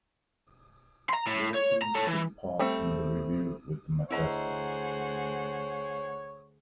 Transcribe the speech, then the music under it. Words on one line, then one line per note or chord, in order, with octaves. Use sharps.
Wilson took part in the review with the "Majestic".
A#5 C6
A2
C#5
A#5
A4 C#5
E3
G3 A3 C4
D2 E4 G#4 C5 C#5 D#5 F#5 A#5